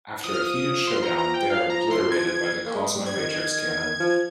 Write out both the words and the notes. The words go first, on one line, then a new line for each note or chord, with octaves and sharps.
After a heated showdown, they are obliterated by the Cosmo Matrix Cannon.
F3 D#6
F6
D#6
D#6
C6
A#5
A#5
G5
F5
A#5
C6
G#6
A#3
G#3
G3
G#6
D#3
F3